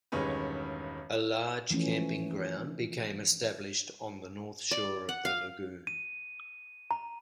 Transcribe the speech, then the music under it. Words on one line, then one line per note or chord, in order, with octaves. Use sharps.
A large camping ground became established on the north shore of the lagoon.
E1 G2 D#3 G#3 C#4 B4
E3 F3 A3 C#4
D5
F#5
F5
D#7
A#5